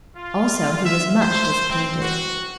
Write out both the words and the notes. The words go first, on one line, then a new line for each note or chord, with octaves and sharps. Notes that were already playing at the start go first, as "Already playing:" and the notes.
Also, he was much disappointed.
F4
E5
C5
C4
F#4